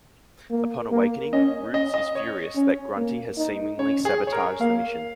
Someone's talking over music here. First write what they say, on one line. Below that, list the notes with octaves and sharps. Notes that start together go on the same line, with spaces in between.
Upon awakening, Rootes is furious that Grunty has seemingly sabotaged the mission.
A#3
A#3
C#4 D#5
C#4 D#5
D#5
C#5
C#4
A#3
D#4
C#4 C#5
G#4
C#5
A#4
A#3 F5